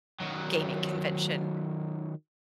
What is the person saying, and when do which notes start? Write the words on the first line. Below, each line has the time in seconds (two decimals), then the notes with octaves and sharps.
gaming convention,
0.20 D#3 F#3